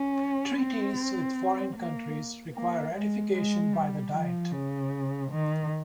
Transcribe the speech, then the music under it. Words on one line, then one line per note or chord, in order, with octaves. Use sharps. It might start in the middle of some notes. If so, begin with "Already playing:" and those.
Treaties with foreign countries require ratification by the Diet.
Already playing: C#4
C4
A#3
A#3
G#3
G#3
G3
F3
C#3
D#3